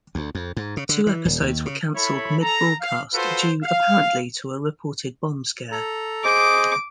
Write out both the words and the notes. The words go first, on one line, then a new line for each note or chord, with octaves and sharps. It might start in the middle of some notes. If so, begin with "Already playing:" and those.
Two episodes were cancelled mid-broadcast due, apparently to a reported bomb scare.
D2
F2
G#2
C#3
D3
E3
D#1
D#2
C#3
E4 A4 C#5 B5
A4 A#5
F5
F4 F#4 A4 B4 C5
F5
A4 A#5
G#4 C5 D#5 D6